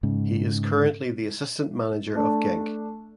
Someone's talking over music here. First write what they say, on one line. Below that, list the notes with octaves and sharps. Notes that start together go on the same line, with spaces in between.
He is currently the assistant manager of Genk.
G#2 C#3
A3 D4